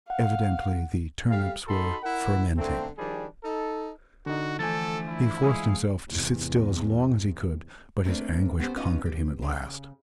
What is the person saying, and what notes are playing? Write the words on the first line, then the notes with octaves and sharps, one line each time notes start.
Evidently the turnips were "fermenting." He forced himself to sit still as long as he could, but his anguish conquered him at last.
F5 F#5
G3 A3 F5
D#4 F#4 A4 B5 C6
E4 A#4 F#5
D3 A3 A#3 C4
D#3 F3 G3 D4 G#4
D#4 A4
D3 D#4 F#4
D3 E3 F3 A3 A4 G#5 A6
E4
G#3 F5 G#5 D#6
E2 G#2 C3
A3 A#3 C4 D4 A#4 B4
B3 C#4 G4 A4 C5
C#4 D#4 F4 F#4 B4 D#5
G4
C#3